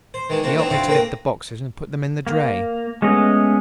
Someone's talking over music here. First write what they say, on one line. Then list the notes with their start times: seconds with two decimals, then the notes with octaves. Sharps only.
He 'elped me to lift the boxes and put them in the dray.
0.14 C5
0.29 D#3 E3 G#3 D#4
0.43 F2 C3 A#3 D4 F#4
0.58 E3 F#3 C4 D4 D#4
0.70 D2 F3 C4 E4 F#4 F5
0.87 A2 A#3 C4 A#4 B4 A#5
2.27 A#3
3.02 G#3 A3 B3 C#4 D#5